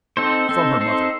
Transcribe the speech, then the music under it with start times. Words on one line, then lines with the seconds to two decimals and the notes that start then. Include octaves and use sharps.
From her mother.
0.17 C4 D#4 A4 C5
0.49 C4 D#4 A4 C5
0.80 C4 D#4 A4 C5